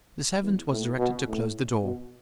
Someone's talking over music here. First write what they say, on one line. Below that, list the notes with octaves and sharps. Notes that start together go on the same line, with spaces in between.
The servant was directed to close the door.
E2
A2
B2
A2
B2